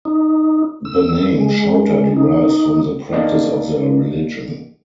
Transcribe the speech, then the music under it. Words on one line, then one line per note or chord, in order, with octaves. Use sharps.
The name "Shouter" derives from the practice of their religion.
D#4
E6
G#3
D#4
A#3 D4 D#4 D5 D#5